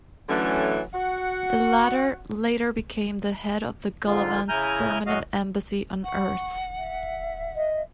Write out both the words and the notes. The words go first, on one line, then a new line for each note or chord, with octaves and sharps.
The latter later became the head of the Golovans' permanent embassy on Earth.
D3 E3 F#3 A3 C#4
F#4 F#5
F2 G#2 D3 F4
C#3 E4 G#5 A#5 F6 G6
F#2 A2 F#3 F#4 D#5 F5
F#5 C#6
E5
D#5